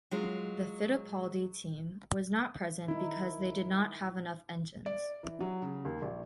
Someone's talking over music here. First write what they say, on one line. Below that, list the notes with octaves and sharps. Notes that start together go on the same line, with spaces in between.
The Fittipaldi team was not present because they did not have enough engines.
F#3 G#3 F4
D#3 D#4 E4
D5
E3
F#3
C#3
D#2
A#1